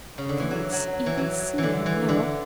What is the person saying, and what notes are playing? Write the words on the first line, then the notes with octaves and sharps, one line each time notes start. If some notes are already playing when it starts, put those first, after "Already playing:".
I cannot even see him now.
C#3
D3
E3
F#3
F#3
E3
F#3
D3 E3
E3
D3